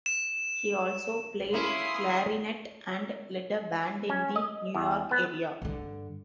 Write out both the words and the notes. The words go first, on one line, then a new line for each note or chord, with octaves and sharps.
He also played clarinet and led a band in the New York area.
E7
A#3 C#4 E4 C6 D#6
C#4
D#5
E2
B3
G2 D3